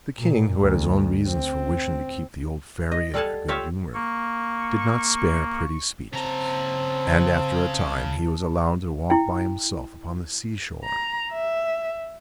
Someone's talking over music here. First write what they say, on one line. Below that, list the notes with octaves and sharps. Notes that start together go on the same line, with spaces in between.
The King, who had his own reasons for wishing to keep the old Fairy in a good humor, did not spare pretty speeches, and after a time he was allowed to walk by himself upon the sea-shore.
A#2
D2
C4
D#5
G3 A4 F5 F#5 G#5 A5
F4 G4 C#5 E5 F5
A#3 C#6
C#3 C4 A5 A#5
E4 G5
A#5
E5